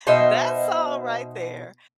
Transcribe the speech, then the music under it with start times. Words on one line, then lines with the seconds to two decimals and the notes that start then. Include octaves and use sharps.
That song right there
0.07 B2 D#4 C5 E5